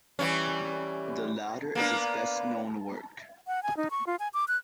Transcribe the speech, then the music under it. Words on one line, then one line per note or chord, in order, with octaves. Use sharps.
The latter is his best-known work.
E3 G3 C#4
A#3 B3 D4
F#5
G#5
D#4
C#6
F4
G#5
D6
F#6